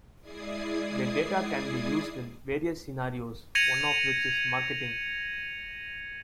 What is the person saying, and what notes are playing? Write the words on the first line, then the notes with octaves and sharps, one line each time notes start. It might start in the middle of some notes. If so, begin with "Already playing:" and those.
The data can be used in various scenarios, one of which is marketing.
G#3 E4 D5 D#6 G#6 C7
G#6 A#6 C#7 D#7 F7 F#7